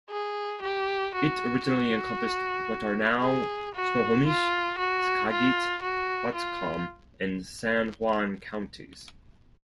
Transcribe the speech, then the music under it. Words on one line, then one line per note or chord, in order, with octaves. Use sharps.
It originally encompassed what are now Snohomish, Skagit, Whatcom, and San Juan Counties.
G#4
G4
F#4
F#4
G#4
F#4
F4
F#4
F4
F#4
F4